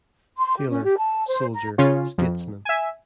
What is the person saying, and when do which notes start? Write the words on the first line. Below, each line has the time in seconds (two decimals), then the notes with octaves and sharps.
Sailor - Soldier - Statesman.
0.37 C6
0.56 G4
0.70 C#4
0.84 G4
0.98 A5
1.27 C5
1.53 A#5
1.78 C#3 C#4 F4
2.18 F2
2.65 E5 G#5